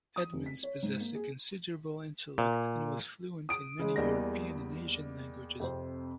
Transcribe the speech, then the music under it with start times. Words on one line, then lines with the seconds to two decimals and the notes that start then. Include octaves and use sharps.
Edmonds possessed a considerable intellect and was fluent in many European and Asian languages.
0.16 D#6
0.33 F1
0.46 B6
0.63 C#5
0.83 G#2
1.00 A#3
1.15 G#4
2.38 A#2
3.49 D#6 D7
3.79 C#3 G#3
3.96 E2 G3 A#3 G#4 D#5 A#6
5.60 F2 C3 C5